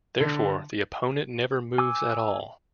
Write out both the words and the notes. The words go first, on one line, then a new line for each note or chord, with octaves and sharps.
Therefore, the opponent never moves at all.
D3
G#5 D6 E6